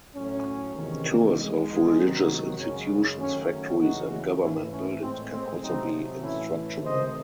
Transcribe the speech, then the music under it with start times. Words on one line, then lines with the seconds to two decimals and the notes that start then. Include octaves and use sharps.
Tours of religious institutions, factories, and government buildings can also be instructional.
0.14 A2 F#3 A3 C#4
0.75 E2 C3 D#3 G#3
1.36 E2 D#3 G#3
1.97 C3 D#3 F#3
2.58 F#2 C#3 G#3 C#4
3.18 F#2 D#3 F#3 A3 C#4
3.79 E2 C#3 E3 D#4 F#4
4.40 G#2 E3 A3 C#4 E4
4.71 C#4
5.01 A2 G#3 C4
5.31 C4
5.62 C3 F#3 A3 C4 D#4
6.22 A2 E3 A3 C#4 E4
6.83 C3 D#3 A3 C5 D#5